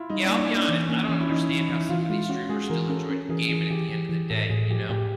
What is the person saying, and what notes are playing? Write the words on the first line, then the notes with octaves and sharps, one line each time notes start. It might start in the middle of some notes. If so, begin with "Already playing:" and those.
Yeah, I'll be honest, I don't understand how some of these streamers still enjoy j gaming at the end of the day, you know?
Already playing: E4 F4
G3 D#4
D4
A#3
C#4
A#3
D4
E3 C#4
A#3 C#4
E3 C#4
E4
E3 D#4
E3
E4
E3
E3 F4
G#3 F4
C#4 F#4
G#3 G#4
E3 A#4
C#4 A4
C#4 A#4
E3 G#4
E3 G#4
E3 G4
E3
E3
A2 A4
A2 G#4
F3 G4
A2 G4